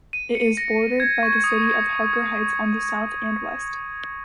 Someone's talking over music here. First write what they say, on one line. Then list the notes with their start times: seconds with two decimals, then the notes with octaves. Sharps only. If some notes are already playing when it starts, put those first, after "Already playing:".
It is bordered by the city of Harker Heights on the south and west.
0.13 D#7
0.35 C#7
0.57 A#6
1.00 G#6
1.23 C#6
1.44 D#6